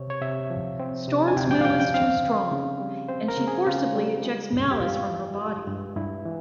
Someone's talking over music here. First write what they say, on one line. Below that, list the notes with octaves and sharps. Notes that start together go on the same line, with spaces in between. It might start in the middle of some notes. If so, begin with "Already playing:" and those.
Storm's will is too strong, and she forcibly ejects Malice from her body.
Already playing: C3 C4 C#5
C#5
C3 E5
F3
C4
C3
G#5
C3 G5
G5
F5
F3 G5
G5
C4 F5
C#3
C#3
G3
C4 C5
A#4
C#3
G#4
C#3 F4
G3
G#3
G2
G4
G2 F4
E3
G#3
G2
G2 E4
E3